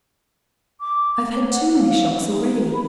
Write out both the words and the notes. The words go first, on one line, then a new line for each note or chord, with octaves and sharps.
I have had too many shocks already.
D6
C#5
F#5
F5
D#4
B5